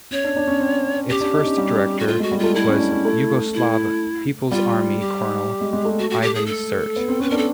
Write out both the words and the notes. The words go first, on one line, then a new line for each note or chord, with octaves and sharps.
Its first director was Yugoslav People's Army colonel Ivan Sert.
C#4 C#5
D4
D4
C#4
C4
C#4 G4
D4
D#4
C#4
G3
F#4
A3 F4
G#3 F#4
G3
A3 F4
A3 E4
C#4
D4
C#4
A3
E4
G3 F4
G4
G#3
G#3
A3
F#4
F#4
G4
G#4
A4
B3
C4
C#4 B4
D4 A#4
A4